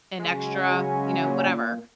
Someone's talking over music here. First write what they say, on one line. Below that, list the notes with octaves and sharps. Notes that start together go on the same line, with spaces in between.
an extra, you know, whatever.
C#3 F#3 G#3 C#4
A#2